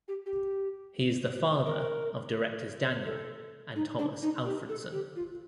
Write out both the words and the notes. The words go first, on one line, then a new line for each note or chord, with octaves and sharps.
He is the father of directors Daniel and Tomas Alfredson.
G4
G4
A#4
A4
D#4
D4
D#4
G4
A4
G4
F4